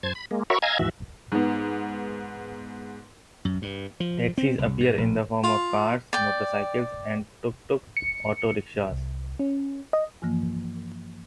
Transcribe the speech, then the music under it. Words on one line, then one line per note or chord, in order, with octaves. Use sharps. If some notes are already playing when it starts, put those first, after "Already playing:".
Taxis appear in the form of cars, motorcycles, and "tuk-tuk" auto rickshaws.
F#2 C5 A5 G#6
B5
G#3 A#3
F#4 A#4 C#5 E5 B5 C#6
D#5 F5 G#5 A#5 E6 G#6
D#2 G#2 E3 F#4 E5
G#2 B3
F#2
G2
F3
C4
C2
G#2
A#1
F4
D5 G5
C#7
C2
C#4
D#5
G2 E3 F3 A#3